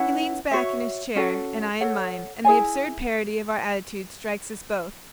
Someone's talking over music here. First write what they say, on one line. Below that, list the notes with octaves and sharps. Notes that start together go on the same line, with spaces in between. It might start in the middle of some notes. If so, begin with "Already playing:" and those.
He leans back in his chair, and I in mine, and the absurd parody of our attitude strikes us both.
Already playing: C#4 E4 B4 F#5
F#4 C#5 E5
C#4 F#4 A4
A4 C#5 F#5
E4 G#4 C#5 G#5